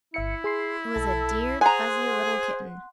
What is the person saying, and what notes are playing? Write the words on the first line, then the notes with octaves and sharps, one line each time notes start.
It was a dear fuzzy little kitten.
G1 E4 E5 C#7
G#4 C6 C7
B1 A4 A5
G#4 C5 F#5 G#5 A#5 C6 F#6